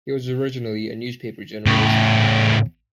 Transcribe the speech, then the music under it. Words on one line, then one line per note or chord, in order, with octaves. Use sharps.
He was originally a newspaper journalist.
A2 C#3